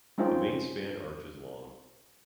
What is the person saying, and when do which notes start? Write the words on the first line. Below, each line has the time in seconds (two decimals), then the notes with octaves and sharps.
The main span arch is long.
0.18 G#3 C#4 D#4 F4 C5 G5